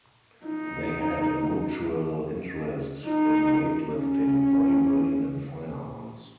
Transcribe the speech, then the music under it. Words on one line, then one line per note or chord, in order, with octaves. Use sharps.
They had a mutual interest in weightlifting, bodybuilding and firearms.
D#4
D#4
C#4